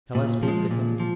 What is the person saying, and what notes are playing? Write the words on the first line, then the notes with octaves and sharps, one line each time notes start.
Shall I speak to him?
A#2
F3
G#3
A#2
F3